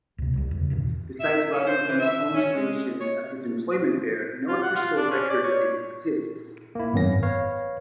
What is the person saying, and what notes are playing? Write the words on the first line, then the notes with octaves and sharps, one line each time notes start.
Besides Robinson's own mention of his employment there, no official record of it exists.
D2 C3
C2 E3 G3
E2 C#3
E2 G2 B2 D#3
E5
C#4
C5
E3
E5
C#4
G#3
C#5
F4
F#5
F4
D4
C#4
D5
C#5
A#3 E4
G#1 F#2 B3 C#4 A#6
B4 C#5 F5